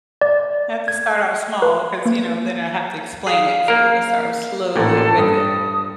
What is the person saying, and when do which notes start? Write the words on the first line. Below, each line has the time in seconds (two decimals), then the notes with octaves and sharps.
I have to start off small 'cause, you know, then I have to explain it. So, I'm gonna start slowly with it.
0.21 D5
0.88 G#6
1.62 B4
2.05 A#3
3.27 G#4 F5
3.68 A#3 A#4
4.76 A1 A#2 A4
5.18 G2 D#6